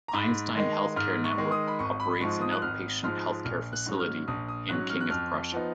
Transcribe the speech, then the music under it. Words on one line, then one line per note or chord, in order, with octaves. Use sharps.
Einstein Healthcare Network operates an outpatient healthcare facility in King of Prussia.
A#5
G#2 B5
D#3 G#3 D#4
G#2 F6
C#6
D#3 G#3 D#4
D#6
B5
G#1 C#6
B5
G#2 F3 G#3 C#6
D#6
F#6
G#1 F6
G#2 F3 G#3 F6
A#1 F6
F#6
G#2 F#3 C#4
F6
A#1 D#6
D#6
G#2 F#3 C#4 F#6
F6
F#6
F2 F6
F3 B3 D#4